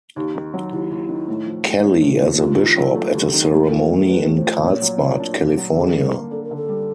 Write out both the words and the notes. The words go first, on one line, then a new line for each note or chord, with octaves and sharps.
Kelly as a bishop at a ceremony in Carlsbad, California.
D#2 D#4
D#3
F#3
D#2 E4
D#2
D#3
A2
F3
G#3
C#4 D#4
A2
E4
F3
D#2 F4
D#3
F#3
A3
D#2
D#3
A2 G4
F3 A4
A4
A3 A#4
D4 B4
A2
C5
F3
A#2 C#5
F#3
A#3
D4
A#2
F#3
D3 G#4
G3
A#3
D4 A4
A#4
D3
A4
G3